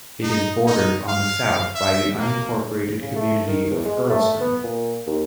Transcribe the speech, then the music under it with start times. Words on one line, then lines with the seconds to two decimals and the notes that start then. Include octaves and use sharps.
It is bordered on the south by the unincorporated community of Earlston.
0.23 D#4
0.67 D#4
1.09 F5
1.75 E5
2.19 A#3
3.01 C#3
3.16 A3
3.47 D#3
3.70 E2
3.85 G#3
4.09 A3
4.41 B3
4.64 A#2
5.07 D#2